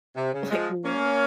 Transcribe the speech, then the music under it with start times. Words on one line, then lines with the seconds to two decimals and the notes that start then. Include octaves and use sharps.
Like, what?
0.16 C3
0.33 C#3
0.50 F3 G#3
0.85 A#3 C#4